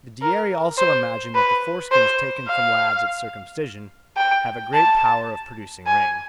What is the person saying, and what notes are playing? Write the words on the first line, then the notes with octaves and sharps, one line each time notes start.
The Dieri also imagine that the foreskins taken from lads at circumcision have a great power of producing rain.
A#4
C5
B4
C5
F5
G5
A5
G#5